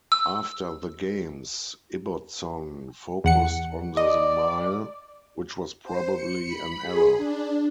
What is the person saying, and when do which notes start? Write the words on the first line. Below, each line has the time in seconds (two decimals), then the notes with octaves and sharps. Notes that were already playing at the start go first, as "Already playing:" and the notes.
After the games, Ibbotson focused on the mile, which was probably an error.
0.12 E6
3.24 E2 F#5 C#7
3.97 D5 D#5
5.84 C5
6.14 C#7
6.47 B5
6.83 G#4
7.17 D4